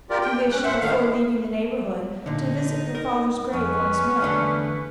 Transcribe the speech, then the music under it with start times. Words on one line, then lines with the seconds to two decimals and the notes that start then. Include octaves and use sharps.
She wished before leaving the neighbourhood to visit her father's grave once more.
0.10 F4 G4 A#4 D5
0.21 G5
0.52 C#4 F#6
0.64 A2 C5 E5 F#5
0.81 A2 D#3 A3 F5
2.26 A#2 D3 D#4
2.95 A#4
3.53 F2 C#4 B4
4.21 E2 D3 A3